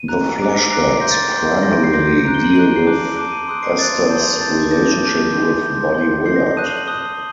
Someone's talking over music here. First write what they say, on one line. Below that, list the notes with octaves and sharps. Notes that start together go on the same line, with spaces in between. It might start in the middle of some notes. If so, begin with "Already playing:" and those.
The flashbacks primarily deal with Esther's relationship with Buddy Willard.
Already playing: D#7
A#5 F#6
A#5 D6 F#6 D7
A#6
A#5 D6 F#6 C7
C6 G6 A#6
A6
C6 G6
C6 G6 A#6
D7
C7
C6 G6 A#6
A#5 F#6 D7
G7
F#7
D#7
A#5 F#6 F#7
D7
C7
A5 D6 F#6
A5 D6 F#6 D7
D#7
C6 D#6 F#6 D7
C7
C6 D#6 F#6 A6
A5 C6 D#6 G6
A5 C6 D#6 G6 A6
A6
A5 D6 G6 A#6
A5 D6 G6
C6 G6
C6 G6
C6 G6
C6 G6 C7
A#6
C7
A5 D#6 F#6 D#7
D#7
F#7
A5 D#6 F#6 G7